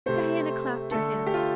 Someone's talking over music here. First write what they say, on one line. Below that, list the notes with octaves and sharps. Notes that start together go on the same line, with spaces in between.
Diana clapped her hands.
C3 A3 C5
D3 A3 A4
G4
F4